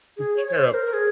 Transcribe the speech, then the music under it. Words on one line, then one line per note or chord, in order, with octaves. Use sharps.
take care of.
G#4
C#5
C#5
C5
A#4
A#4
G#4